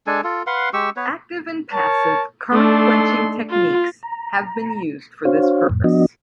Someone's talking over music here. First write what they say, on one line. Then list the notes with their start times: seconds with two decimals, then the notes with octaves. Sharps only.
Active and passive current-quenching techniques have been used for this purpose.
0.07 G#3 D4 A4 G#5
0.24 F4 A4
0.47 B4 F5 F#5 C6
0.73 G#3 G4 C#6 E6
0.96 B3 B4 C#5
1.71 A#4 C#5 A5
2.52 A3 D4 D#4 A4 C6
3.50 F4
4.03 A#5
5.25 D4 F#4 C5 C#5 F5
5.69 F2 A2
5.84 F3 B3 D4 F#4 D#5